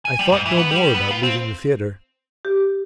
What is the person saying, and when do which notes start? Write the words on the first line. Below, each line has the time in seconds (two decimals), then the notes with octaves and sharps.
I thought no more about leaving the theatre.
0.05 G#5
0.19 G3
0.32 G#2
0.46 E3
0.58 B3
0.71 G3
0.94 B3
1.11 F4
1.23 C4
2.45 G4